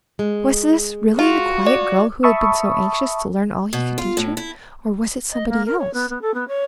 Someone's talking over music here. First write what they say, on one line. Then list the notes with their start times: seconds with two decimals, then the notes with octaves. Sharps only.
Was this really the quiet girl who had been so anxious to learn all he could teach her, or was it somebody else?
0.19 G#3
1.19 F4 F#4
1.67 D5
2.23 E5 A5 B5 C#6 D#6 E6
3.73 B2
3.98 F4
4.17 A2
4.37 E4
5.31 D#5
5.48 A#3
5.65 A#4
5.78 C#5
5.93 B3
6.09 B3
6.21 A4
6.34 B3
6.47 C#5